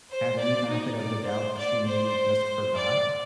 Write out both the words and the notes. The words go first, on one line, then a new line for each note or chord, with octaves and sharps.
have any benefit of the doubt that she maybe just forgot?
C5
D5
D#4
D5
C5
D5
C5
D5